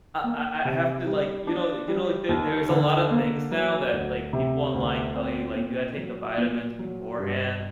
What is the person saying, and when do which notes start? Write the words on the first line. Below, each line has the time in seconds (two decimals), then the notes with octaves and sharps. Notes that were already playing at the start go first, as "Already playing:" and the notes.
I I I have to, like, you know the you know, like there there's a lotta things now that, like, people online tell you, like, you had to take the vitamins beforehand.
0.24 A#3
0.65 C3
1.07 G3
1.47 D4
1.88 G3
2.29 D#2
2.70 D3
3.11 A#3
3.51 F#3
3.92 D2
4.33 C3
4.74 D2
5.15 C4
5.56 A#2
5.97 F#3
6.38 A#2
6.79 F#3
7.19 G2